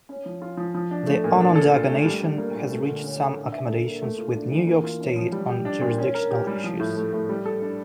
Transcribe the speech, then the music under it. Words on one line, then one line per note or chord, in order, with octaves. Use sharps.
The Onondaga Nation has reached some accommodations with New York State on jurisdictional issues.
C#4
F3
F4
F3
F3
D4
A3
A#2
D4
A4
F4
A3
G3
D4
A#3
A#2
A3
D3
C#4
D3
D4
E5
A4
A#3
A3
F4
D4
E3
A#3
F4
C#4
F3
G3
G4
D4
A#2
C#4
A#4
G4
G3
F3
A2
A3
A2
G3
A4
D4